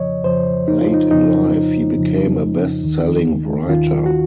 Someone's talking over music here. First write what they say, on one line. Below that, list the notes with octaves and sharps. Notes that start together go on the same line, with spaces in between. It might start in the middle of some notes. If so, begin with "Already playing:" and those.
Late in life, he became a best-selling writer.
Already playing: F2 C#3 F3 C#5 D#5
F2 C#3 F3 C5
D#4
F4
D#4
F2 C#3 F3 D#4
F2 C#3 F3
D#2 D#3
D#2 D#3 F4
F#4